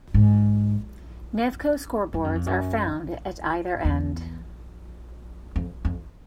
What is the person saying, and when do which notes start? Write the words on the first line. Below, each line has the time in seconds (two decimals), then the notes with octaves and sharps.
Nevco scoreboards are found at either end.
0.14 G#2
2.14 G2
2.24 F#2
2.35 F2
2.47 F#2
3.85 E2
5.56 F2
5.85 F2